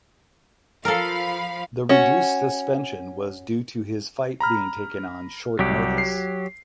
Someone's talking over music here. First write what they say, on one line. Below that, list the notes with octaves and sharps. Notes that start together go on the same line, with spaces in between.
The reduced suspension was due to his fight being taken on short notice.
F3 A4 A#4 F5 B5
C#4 F#4
A#5 B5 F6
C2 F#3 G4
C7